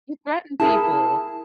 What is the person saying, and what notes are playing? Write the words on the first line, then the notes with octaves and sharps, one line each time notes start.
to threaten people?
E4 G#4 A#4 A5